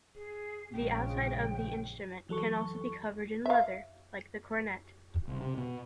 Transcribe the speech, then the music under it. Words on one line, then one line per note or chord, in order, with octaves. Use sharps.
The outside of the instrument can also be covered in leather, like the cornett.
G#4
A#1 C#3 F3 G#3 G5
E3 F#3 A4 C#6
E5 F5
C2
C3
B2